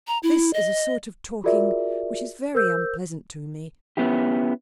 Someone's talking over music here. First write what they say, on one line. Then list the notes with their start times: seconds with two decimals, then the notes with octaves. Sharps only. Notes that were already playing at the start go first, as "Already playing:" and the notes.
This is a sort of talking which is very unpleasant to me.
0.07 A#5
0.23 E4
0.54 D#5
1.44 F4 F#4 G#4 A#4 D5 E5
2.55 A#4 C5 E6 G6
3.97 B3 C#4 E4 G4